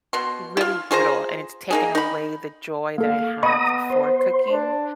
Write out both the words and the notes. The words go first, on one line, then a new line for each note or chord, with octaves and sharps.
really brutal, and it's taken away the joy that I have f for cooking,
B2 C6
E4 F4
F4 G#4 C5 A#5
A#3 D#4 G#4
D#4 B5
A#3 A4 F5
B3 D#5 A#5 B5 C#6 D#6
C5
D4